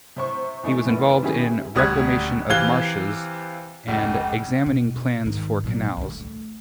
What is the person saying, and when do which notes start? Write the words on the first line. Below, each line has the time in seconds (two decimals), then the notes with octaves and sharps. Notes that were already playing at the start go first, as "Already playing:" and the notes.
He was involved in reclamation of marshes and examining plans for canals.
0.16 C3 C5 C#6
0.63 E2 A3 D#4 C#6
0.85 F1 E3 B3
1.23 D#3 C#4 E4 G4 G#4
1.75 D#1 D2 G3 D#6 F#6 G#6
2.50 C3 E3 F5 F#6 G#6 G7
3.88 F1 C#2
4.66 B2
5.26 G#2 D#3
5.64 A#2 F#3
5.97 C2 D3
6.10 A3